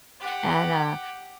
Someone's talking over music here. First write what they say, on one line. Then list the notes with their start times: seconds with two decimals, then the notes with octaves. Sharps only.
And, uh
0.20 G4 F#5